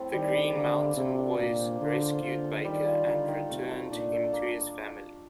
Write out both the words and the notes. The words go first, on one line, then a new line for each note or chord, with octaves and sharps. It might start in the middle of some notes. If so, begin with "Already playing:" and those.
The Green Mountain Boys rescued Baker and returned him to his family.
Already playing: A2 C4
D#3 G3
G3
D3 A#3
A#3
C3 A4
D4
A#2 A#3
C5
D3 F4
C5
D3 F4
A4
D#3 G3
F4
D3 D#4
D#3
C3 A3
A3
A#2 D4
A4
A#3